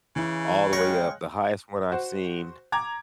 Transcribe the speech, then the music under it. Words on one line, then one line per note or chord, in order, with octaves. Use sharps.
all the way up the highest one I've seen
C#3 E3 E4
G#3 C#5 F5 G5 F#6 A#6
F#4 C5
A#5 D6 G#6